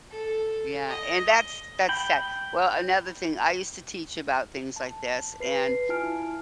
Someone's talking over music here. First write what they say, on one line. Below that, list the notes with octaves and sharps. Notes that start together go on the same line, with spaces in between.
Yeah, and that's that's sad. Well, another thing, I used to teach about things like this, and
A4
D#5
G5 B5
A5
B4 C7
E4 F4 G#5 A5 F6 D7